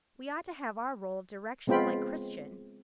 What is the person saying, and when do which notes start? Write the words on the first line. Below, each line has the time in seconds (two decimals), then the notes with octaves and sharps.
We ought to have our roll of directions, like Christian.
1.67 G#3 B3 C4 F4 G5 B5